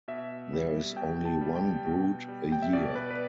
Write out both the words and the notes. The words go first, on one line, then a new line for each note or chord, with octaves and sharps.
There is only one brood a year.
B2 E5
G3
B2 G5
A5
G3
G5
B2
G3
G5
E5
B2 D5
D5
B4
B4